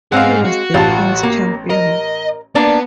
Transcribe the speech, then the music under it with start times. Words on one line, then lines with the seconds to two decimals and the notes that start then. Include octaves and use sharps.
He was the King's champion.
0.12 G#2 G#3 C4 G#4 F5 F#5
0.45 F#4
0.74 A1 F4 A5
1.23 A#3
1.70 A#4 D#5
2.55 A#3 B3 D4 D5